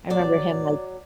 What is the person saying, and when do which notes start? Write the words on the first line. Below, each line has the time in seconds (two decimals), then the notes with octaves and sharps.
I remember him, like,
0.10 F#3 D5